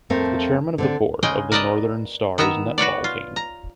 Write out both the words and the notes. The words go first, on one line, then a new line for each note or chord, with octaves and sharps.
He is the chairman of the board of the Northern Stars netball team.
F2 A3 C4 A#4 F5
D3 C4 D4
C#3 G#3 D#5 G5 G#5
A#4 B4 D5 D#5 A5
D#3 B3 E5 A#5
F#4 B4 C#5 D5
F4
A#5